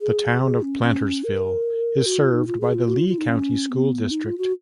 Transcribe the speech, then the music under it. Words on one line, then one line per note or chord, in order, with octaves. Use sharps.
The Town of Plantersville is served by the Lee County School District.
G#4
G#4
C#4
C#4
A#4
F#4
F4
D#4
F4
G#4
F4
F#4
F4
F4
D#4
C#4
B3
D#4
F4
F#4